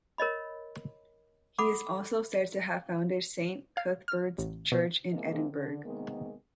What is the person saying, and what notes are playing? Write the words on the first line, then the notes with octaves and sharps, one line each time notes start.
He is also said to have founded Saint Cuthbert's Church in Edinburgh.
A#4 C#5 D#5 B5
A4 F#5 B5 D6
F5
F6
A1
B2
C3 G#3 A#3 E4 G#4 D#5
D3
C3 D#3 G#3 A#3 B3